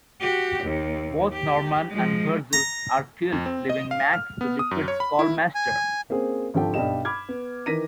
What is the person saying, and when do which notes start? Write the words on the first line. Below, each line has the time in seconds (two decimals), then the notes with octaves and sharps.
Both Norman and Virgil are killed, leaving Max to defeat Skullmaster.
0.20 F#4 G4
0.64 D#2
1.32 G4
1.90 F3 G#3
2.53 A#5
3.32 F2
3.46 C4
3.70 D#5
3.91 F5
4.13 F6
4.41 B3
4.59 D#6
4.71 F#2
4.88 C#5
5.00 B5
5.19 E4
5.55 G#5
6.10 A#3 C4 C#4 G#4 C5
6.54 G#1 D3 F3 G4 A4 G5
6.74 B1 G2 D4 G4 D#5 E7
7.05 B5 D6 F6 G#6
7.29 B3
7.66 D#3 E3 A#4 A#6 B6 D#7